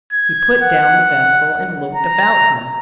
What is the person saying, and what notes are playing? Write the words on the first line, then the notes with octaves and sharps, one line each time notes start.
He put down the vessel and looked about him.
G#6
F#5
A#5